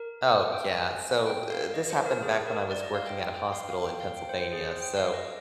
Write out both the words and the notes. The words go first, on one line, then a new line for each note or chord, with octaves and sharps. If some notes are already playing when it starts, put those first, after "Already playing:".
Oh, yeah, so, eh, this happened back when I was working at a hospital in Pennsylvania. So,
Already playing: A#4
C5
G5
G#5
G5
F5
D#5
C5
A#4
G#4
A#4
D5
D#5
F5
G5
G5
G5
F5
F5
G5
F5
G5
C5
C5
G#4
C5
G5
F5
D#5